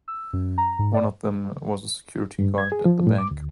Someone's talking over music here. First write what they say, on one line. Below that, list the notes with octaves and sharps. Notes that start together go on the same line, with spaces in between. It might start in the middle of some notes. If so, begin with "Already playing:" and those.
One of them was a security guard at the bank.
E6
F#2
A#5
G#2
D5
G2
G#6
G#4
F3
A2
D6
D2